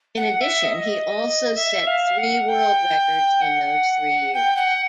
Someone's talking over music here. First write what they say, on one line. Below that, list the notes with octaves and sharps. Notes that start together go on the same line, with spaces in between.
In addition, he also set three world records in those three years.
F#5
E5
D#5
E5
F5
F#5
G5
F#5
G5
F#5